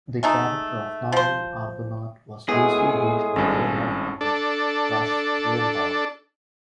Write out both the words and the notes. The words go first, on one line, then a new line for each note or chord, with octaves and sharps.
The character of Norman Arbuthnot was loosely based on real-life pundit Rush Limbaugh.
G#3 A3 D#4
F3 C5
A2 G#3 B3 G#4
G#1 G2 C#4 A4
D4 A4